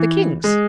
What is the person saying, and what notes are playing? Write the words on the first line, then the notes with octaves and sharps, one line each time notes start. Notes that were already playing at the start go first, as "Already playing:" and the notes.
The king's.
Already playing: E3
G#3